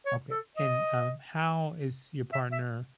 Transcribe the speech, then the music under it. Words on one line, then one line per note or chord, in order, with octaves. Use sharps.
Okay. And, um, how is your partner
C#5
A4
D#5
E5
E5